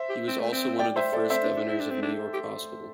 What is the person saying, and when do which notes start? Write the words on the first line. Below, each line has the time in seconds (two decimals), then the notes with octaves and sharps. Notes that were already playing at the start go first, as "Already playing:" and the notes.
He was also one of the first governors of New York Hospital.
Already playing: C5 E5
0.09 G4
0.28 C4
0.40 A3
0.52 C4
0.79 D5 G5
0.96 C5 E5
1.12 A4 D5
1.30 C4 C5 E5
1.43 D4
1.56 D4
1.69 E4
1.80 D4
1.91 C4
2.02 D4
2.33 G4